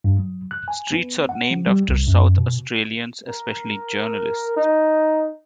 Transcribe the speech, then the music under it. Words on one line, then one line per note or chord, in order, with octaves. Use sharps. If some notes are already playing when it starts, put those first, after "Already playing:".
Streets are named after South Australians, especially journalists.
G2
F#3
F#6
G#5
B3
F#5
F3
G3
C2
F#2
B2
A#4
D#4